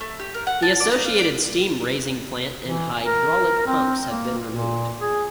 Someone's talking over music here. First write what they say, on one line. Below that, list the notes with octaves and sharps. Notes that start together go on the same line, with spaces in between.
The associated steam raising plant and hydraulic pumps have been removed.
A3
G4
A#4
F#5
A5
D5
D#4
F5
D5
E3
A#4
C4
A#3
A#2
G#4